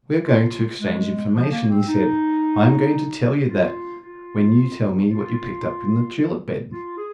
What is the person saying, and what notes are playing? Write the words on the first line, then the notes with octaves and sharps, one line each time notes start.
"We are going to exchange information," he said "I am going to tell you that, when you tell me what you picked up in the tulip bed."
F4
G#3
F3
A#3
C4
D#4
F4
F4
F4
F4
G#4